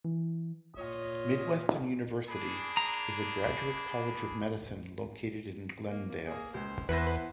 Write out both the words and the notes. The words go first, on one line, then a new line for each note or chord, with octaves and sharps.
Midwestern University is a graduate college of medicine located in Glendale.
E3
A#2 F4 C#5 D#5
A#3 D4 G#4 B5
A#5
A#3
A#3 G#4
C#2 C5
E2 E3 B3 B4 C5 E5 A#6